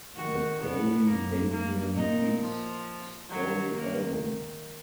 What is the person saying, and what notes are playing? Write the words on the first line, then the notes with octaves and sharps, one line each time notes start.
The Barry Adrian Reese Story album.
D#3 F#4
B2 B3
F#2 A#3
F#2 A#3
A#2 D#4
F3
D#3 F#3
A#3